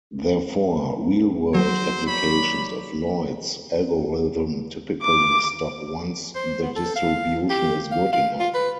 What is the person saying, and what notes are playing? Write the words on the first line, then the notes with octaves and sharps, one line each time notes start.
Therefore, real-world applications of Lloyd's algorithm typically stop once the distribution is good enough.
F#3 C5
C#5 D5 B5
D6
C5
B3
A4
F5
G4
F5
F5
F4
B4